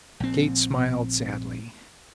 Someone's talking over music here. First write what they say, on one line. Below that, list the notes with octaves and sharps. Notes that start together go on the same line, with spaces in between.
Kate smiled sadly.
A#1 C4